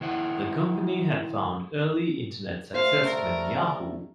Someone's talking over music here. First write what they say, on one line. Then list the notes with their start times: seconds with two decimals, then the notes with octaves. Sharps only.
The company had found early Internet success when Yahoo!
0.01 D#3 E4 F#5
2.74 G3 A3 C5 F5
3.05 A#4